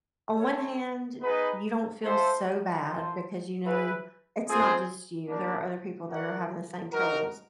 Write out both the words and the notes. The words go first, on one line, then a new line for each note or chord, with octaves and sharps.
on one hand, you don't feel so bad because you know it's not just you, there are other people that are having the same troubles.
G3 C4 E4 A4 C#5
B3 D#4 G#4 B4 D#5
E4 A4 C5 F5
F4 A4 C5
E4 G#4 B4
C4 F4 G#4 C5
G3 A#3 D4
F#4 A#4 D5 F#5
D#4 F#4 A#4